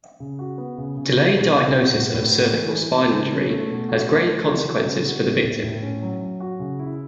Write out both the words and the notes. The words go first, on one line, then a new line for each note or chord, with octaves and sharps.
Delayed diagnosis of cervical spine injury has grave consequences for the victim.
C#3
F#4
B3
C#3
C#3
B3
B2
B2
F#4
A2
A2
F#4
E3
E3
E4
C#3
C#4
A3
B2
F#4
A3
E3
E3
F#4
C#3
F#4
B3
A2
A2
C#4
F#3
F#3
F#4
C#3
E4